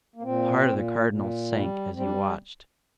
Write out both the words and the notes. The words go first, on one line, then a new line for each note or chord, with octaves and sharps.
The heart of the Cardinal sank as he watched.
A#3
A#2 C4
A#2
A#2
G3
G3 C4
D4
C4